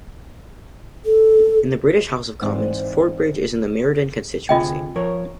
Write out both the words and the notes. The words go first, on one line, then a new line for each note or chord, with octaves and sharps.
In the British House of Commons, Fordbridge is in the Meriden constituency.
A4
G#2 E3 C4 C5 D5 F#5
D2 C3 F4 G#4 D#5 G5
F3 A#4 C#5